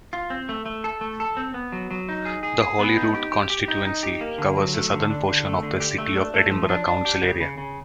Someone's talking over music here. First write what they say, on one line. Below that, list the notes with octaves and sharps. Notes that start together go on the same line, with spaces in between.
The Holyrood constituency covers a southern portion of the City of Edinburgh council area.
F4
C4
A3
A3
A4
A3
A4
C4
B3
F#3
F#3
D#4
G#4
G#4
G#4
B3
D#4
G4
G4
G4
D#4
D#4
G4
A#3
D3
F#3
A3
D3
D4
D3
A3
D3
G4
A3
D4
A3
F3
D4
D4
G4
C#3
C#3
C#3